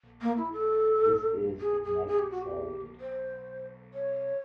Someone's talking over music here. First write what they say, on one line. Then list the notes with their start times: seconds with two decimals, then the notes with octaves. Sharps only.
This is Ignite Accelerated.
0.21 A#3
0.37 E4
0.53 A4
1.61 G#4
1.84 G#4
2.08 G#4
2.19 G4
2.31 F#4
2.42 G4
3.01 C5
3.94 C#5